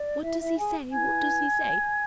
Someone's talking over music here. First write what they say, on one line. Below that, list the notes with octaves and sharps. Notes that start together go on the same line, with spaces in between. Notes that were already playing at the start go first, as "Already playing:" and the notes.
'What does he say, what does he say?
Already playing: D5
E4 E5
E4 E5
G#4 G#5
E4 B4 G#5 G#6